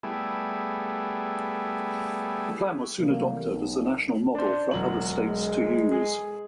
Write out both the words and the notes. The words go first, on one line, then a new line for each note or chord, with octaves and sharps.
The plan was soon adopted as a national model for other states to use.
G3 A3 B3 E4 G#4
C3 E3 F#3 G3 A3 A#3
B1
D4 C5
E1 F#3 F#7
G#3
G#4